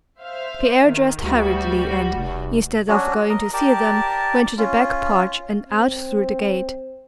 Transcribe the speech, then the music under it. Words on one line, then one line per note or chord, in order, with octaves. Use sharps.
Pierre dressed hurriedly and, instead of going to see them, went to the back porch and out through the gate.
C5 E5 F5
D#3
D2 G3 F#4
F1
F#3 C#4 D4 F#4
A#4 D#5
G4 A#4 D5 A5
C#4 F4
C4